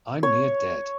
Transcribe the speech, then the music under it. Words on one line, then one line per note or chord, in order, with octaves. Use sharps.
I'm near dead.
C#5